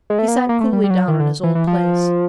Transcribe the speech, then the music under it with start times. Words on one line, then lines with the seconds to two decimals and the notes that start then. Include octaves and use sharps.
He sat coolly down in his old place.
0.10 G#3
0.19 A3
0.28 A#3
0.37 B3
0.49 A#3
0.60 A3
0.73 G3
0.84 G3
0.90 F#3
1.08 D#3
1.20 D3
1.43 E3
1.55 E3
1.67 F3